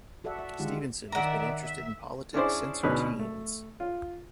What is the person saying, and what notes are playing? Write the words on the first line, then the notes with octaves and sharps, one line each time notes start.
Stevenson has been interested in politics since her teens.
F#4 A4 D5 E5 F#5
E5
D3 D#3 G#3 F4 G4 F#5
D#3 D5 E5 F#5 A#5
E5
C#4 D4 E4 G#4 C5 D5
D2 B2 C#4 D#4 B4 F#6
A3
F4